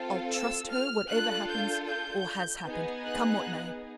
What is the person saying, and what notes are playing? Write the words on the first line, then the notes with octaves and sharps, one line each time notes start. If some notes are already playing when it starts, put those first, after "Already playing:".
I'll trust her whatever happens or has happened, come what may.
Already playing: C4 F4 A4
E6
F6
D4 F4 A4 F#6
G6
G6
B3 D#4 G#4
F#6